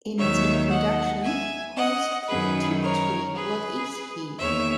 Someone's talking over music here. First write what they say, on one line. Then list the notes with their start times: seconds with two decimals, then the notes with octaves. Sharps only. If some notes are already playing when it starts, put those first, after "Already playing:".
In its introduction, Who is Tiptree, What is He?
0.17 D#2 D#3 F#3 C#5 E5
0.70 D#5 F#5
1.23 E5 G#5
1.75 D#5 F#5
2.28 F#2 D#3 F#3 G#4 B4
2.81 A#4 C#5
3.34 G#4 B4
4.39 E2 D#3 A#3 C#5 E5